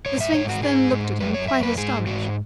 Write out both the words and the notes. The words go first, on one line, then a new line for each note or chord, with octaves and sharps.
The Sphinx then looked at him quite astonished.
G#2 C#5
E5
G#2 C#5
F#4
G#2 G#4
G#2
F#2 B4
C#5
F#2 E5
B4
G#2 G#4
G#2 F#4